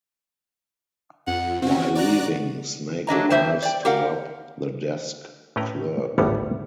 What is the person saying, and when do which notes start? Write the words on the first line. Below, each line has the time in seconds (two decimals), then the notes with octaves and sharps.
While leaving, Snake arrives to rob the desk clerk.
1.27 F2 F#5
1.62 C4 C#4 F#4
1.95 D5 A#5 F#6
3.07 F#3 D4 D#5 A#5
3.30 F2 G3 C5 E5
3.63 D5 G5
3.85 G4 A#4 F5 F#5
5.56 A2 A3 C#4 B4 G5 A#5
6.18 G#1 D2 A2 G3 B3 C#5